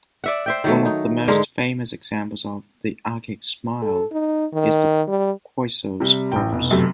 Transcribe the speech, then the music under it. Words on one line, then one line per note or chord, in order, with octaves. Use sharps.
One of the most famous examples of the Archaic Smile is the Kroisos Kouros.
D5 E5 F#5
C5 E5 G5
D#3 F#3 A3
D#4
G#2 D3 G#3 A#4
A4
D#4
D#3
G3
C3 G3
A1 G5
F1 B2
F#2 C3 A3